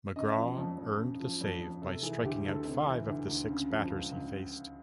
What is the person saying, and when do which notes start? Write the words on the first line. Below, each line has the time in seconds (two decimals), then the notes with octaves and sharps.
McGraw earned the save by striking out five of the six batters he faced.
0.16 C#3 D#5
0.36 F3
0.58 F2
0.78 F2
0.99 C#3
1.20 F3
1.41 F2
1.61 F2
1.82 C3 A4
2.03 E3 G#4
2.24 D2 G4
2.45 D2 A4
2.65 C3
2.87 E3
3.07 D2
3.28 D2
3.49 C#3
3.70 F3
3.90 C#2
4.12 C#2